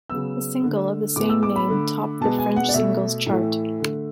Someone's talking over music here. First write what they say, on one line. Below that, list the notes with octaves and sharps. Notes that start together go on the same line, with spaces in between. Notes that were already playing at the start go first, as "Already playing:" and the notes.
The single of the same name topped the French Singles Chart.
C#3 F#3 B3 E6
D3 A3
A2 G#3 B3 D6
E6
D6
B5
D3 A3
B2 G#3 B3 A5
G#5
F#5
D5
B2 A3 E5
A2 E3 A3
D3 A3